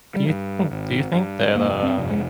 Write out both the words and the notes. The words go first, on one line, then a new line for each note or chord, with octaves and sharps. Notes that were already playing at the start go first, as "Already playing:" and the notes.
Do you think do you think that, uh,
G3
G2
G#1
G2
F1 A#3
C4
F2 C3
G#3